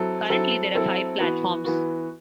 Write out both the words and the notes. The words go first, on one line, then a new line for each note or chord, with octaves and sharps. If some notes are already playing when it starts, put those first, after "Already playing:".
Currently there are five platforms.
Already playing: F#3 C4 E4 A4
F#3 C4 E4 A4
F#3 C4 E4 A4
E3 B3 F#4
E3 B3 F#4